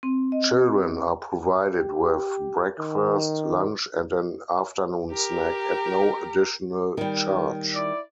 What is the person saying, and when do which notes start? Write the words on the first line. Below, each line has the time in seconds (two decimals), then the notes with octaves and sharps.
Children are provided with breakfast, lunch and an afternoon snack at no additional charge.
0.03 C4
0.32 D#5
1.78 G4
2.79 D#3
5.10 G4 A#4
6.97 D#3 G3
7.74 E4 D5